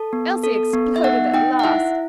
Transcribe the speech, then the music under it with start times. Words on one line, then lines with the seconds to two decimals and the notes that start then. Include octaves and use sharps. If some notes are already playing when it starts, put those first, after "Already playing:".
Elsie exploded at last.
Already playing: A4 A5
0.13 B3
0.44 A4
0.74 B3
0.96 E5
1.04 D#4 F#5
1.34 D#4 G5
1.59 F#5
1.64 E4 E5